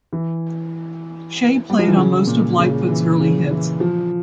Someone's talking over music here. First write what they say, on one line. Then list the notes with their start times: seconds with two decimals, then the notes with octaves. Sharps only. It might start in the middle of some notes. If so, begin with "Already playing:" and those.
Shea played on most of Lightfoot's early hits.
0.13 E3
1.70 G3
1.78 F3
1.88 E3
1.96 C#3
2.27 A#2
2.58 C#3
2.89 E3
3.20 C#3
3.51 E3
3.80 F3